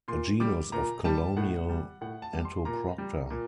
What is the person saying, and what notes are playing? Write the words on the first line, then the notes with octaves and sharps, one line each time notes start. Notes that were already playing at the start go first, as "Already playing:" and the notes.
A genus of colonial Entoprocta.
A#2 C6
G3 D6
A#2 A#5
G3 A5
A2 F#5
G3
A2 F#5
A5
G3
C6
A#2 A#5
G3
A#2